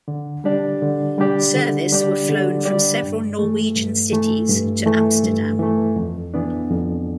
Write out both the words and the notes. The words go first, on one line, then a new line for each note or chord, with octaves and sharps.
Service were flown from several Norwegian cities to Amsterdam.
D3
G3 D4 G4 D5
D3
G3 D4 G4 D5
D3
G3 D4 G4 D5
D3
G3 D4 G4 D5
G2
E3 A3
G2
E3 A3
G2
E3 A3
G2
E3 A3
F2
E3 B3 D4
F2